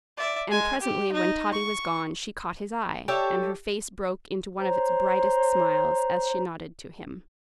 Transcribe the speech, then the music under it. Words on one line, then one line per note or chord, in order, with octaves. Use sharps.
And presently, when Totty was gone, she caught his eye, and her face broke into one of its brightest smiles, as she nodded to him.
D5 E5
G#3 G#5
G4
D#4
C#6
G4 A4 C#5 E5
C5 C#5 A#5